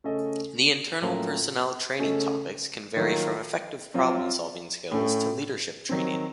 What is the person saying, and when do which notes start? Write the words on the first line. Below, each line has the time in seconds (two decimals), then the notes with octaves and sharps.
The internal personnel training topics can vary from effective problem-solving skills to leadership training.
0.04 C#3 A3 C#4 A4 D#5
1.01 A2 F#3 A#3 C#4 F4
1.99 C#3 A3 C#4 A4 D#5
2.97 D#3 F#3 A#3 F4
3.94 F#3 C4 F4
4.91 A2 A3 C#4
5.89 D#3 F#3 C4